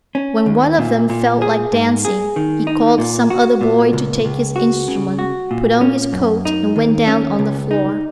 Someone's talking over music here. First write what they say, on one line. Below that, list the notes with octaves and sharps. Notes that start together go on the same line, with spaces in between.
When one of them felt like dancing, he called some other boy to take his instrument, put on his coat, and went down on the floor.
C#4
D#2
A#2
A#2
G#4
G#2
G#4
D#3
D#4
A#2
F#4
A#2
C#2
C#2
F#4
C#3
F#4
A#2
C#4
F#2
D#4
D#2
C#4
C#2
D#4